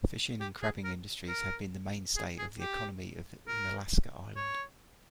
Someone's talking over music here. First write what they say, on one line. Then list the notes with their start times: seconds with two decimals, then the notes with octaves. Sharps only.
Fishing and crabbing industries have been the mainstay of the economy of Unalaska island.
0.40 G4
0.62 G#4
0.84 A#4
1.28 A#4
2.16 G#4
2.38 G#4
2.60 G4
3.48 A#4
4.36 C#5